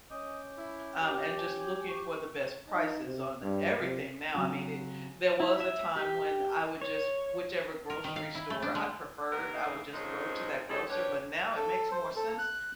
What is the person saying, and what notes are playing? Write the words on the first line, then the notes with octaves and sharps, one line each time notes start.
um, and just looking for the best prices on everything now. I mean, it There was a time when I would just whichever grocery store I preferred, I would just go to that grocer, but now it makes more sense
C#4 D#5 D6 G6
E4
G4
G#5
C#6
D#4
C3
G2
C3
C#3 F#3 C4 G4
E4
E5
G4
C#5
A#4
D#3
F5
E4
A3
D4
G#3
D#2 A#3 B3 A#4
D3 E3 A3 A#3 D#4
D#3 F3 G#3 A#3 C4 C#4
A2 F3 G3 D#4 G#4 A4
D4 G4 B4 C#5
A4
C5
A4
F#6